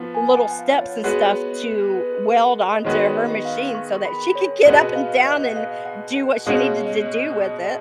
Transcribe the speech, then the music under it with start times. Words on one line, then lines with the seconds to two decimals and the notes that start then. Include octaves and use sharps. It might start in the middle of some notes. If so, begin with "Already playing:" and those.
little steps and stuff to weld onto her machine so that she could get up and down and do what she needed to do with it.
Already playing: F3 B3 F4
0.15 G#5
0.36 F#5
0.51 F#5
0.59 F5
0.81 C#5
1.04 G#3 B3 F#4 C#5
1.95 B4
2.25 A#4
2.74 D#5
2.84 D#3 G#3 B3 F#4 C#5
3.15 D#5
3.45 F5
3.75 C#6
3.94 C#6
4.05 B5
4.35 C#5
4.65 B2 G#3 B3 F#4 D#5
4.96 F5
5.25 D#5
5.46 F#5
5.56 F5
5.85 F#5
6.16 F#5
6.46 B2 G#3 C#4 F#4 F5
6.76 D#5
7.06 D#5